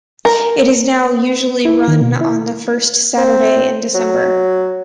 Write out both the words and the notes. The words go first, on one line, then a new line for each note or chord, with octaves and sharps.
It is now usually run on the first Saturday in December.
A#4
E4
D#3
B2
E4
C4
F#3